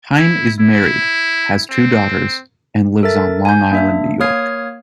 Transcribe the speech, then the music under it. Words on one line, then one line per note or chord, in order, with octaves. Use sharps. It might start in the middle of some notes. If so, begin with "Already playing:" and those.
Hein is married, has two daughters, and lives on Long Island, New York.
E4
E4
C4
A4 A#4 E5 A6
G#5 G6
A#3 D4 E5
A#3 C#5 D#6 F6 G#6 C7